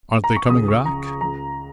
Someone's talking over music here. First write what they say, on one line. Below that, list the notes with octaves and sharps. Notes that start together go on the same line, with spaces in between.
"Aren't they coming back?"
A#5
C#6
C#2 D#6
C#6
C#3 A#5
C#2 A#5